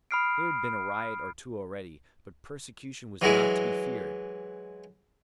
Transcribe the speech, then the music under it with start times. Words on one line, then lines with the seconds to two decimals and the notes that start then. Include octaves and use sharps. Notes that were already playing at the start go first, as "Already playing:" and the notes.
There had been a riot or two already. But persecution was not to be feared.
0.11 B5 D#6 F6 C7 D7
3.21 E3 F#3 G#3 E4